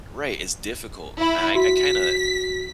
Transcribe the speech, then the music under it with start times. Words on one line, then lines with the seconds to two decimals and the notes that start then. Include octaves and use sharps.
Right, it's difficult, and I I kinda
1.20 E4 B5
1.55 F#4 B6